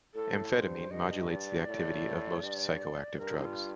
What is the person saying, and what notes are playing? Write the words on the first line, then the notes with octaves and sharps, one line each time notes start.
Amphetamine modulates the activity of most psychoactive drugs.
A2 A4
G2 C5
G2 D#5
D5
A2
G2
G2 A#4
D#4
F4